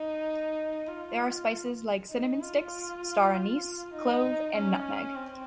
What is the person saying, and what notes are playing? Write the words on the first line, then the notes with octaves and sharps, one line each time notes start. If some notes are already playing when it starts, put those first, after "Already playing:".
There are spices like cinnamon sticks, star anise, clove and nutmeg.
Already playing: D#4
F4
D#4
F4
D#4
C#4
C4